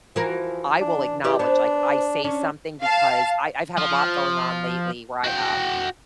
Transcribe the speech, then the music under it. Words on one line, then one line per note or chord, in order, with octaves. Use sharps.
I will acknowledge, like, I say something because, I I've had a lot going on lately where I, um
E3 F3 F#4 A#4
D4
E3 G4 G#4 D5
B3 D4 C5
C#4 D4
F5 A5
F3
F#4 G5